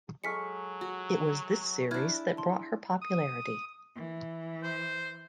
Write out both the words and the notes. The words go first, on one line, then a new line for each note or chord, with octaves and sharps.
It was this series that brought her popularity.
F#3 G#3 A4 C#6 F6 B6 C#7
F#4
D4 E4 F6 F#6 G#6
A5 C6
D#6
E3
C5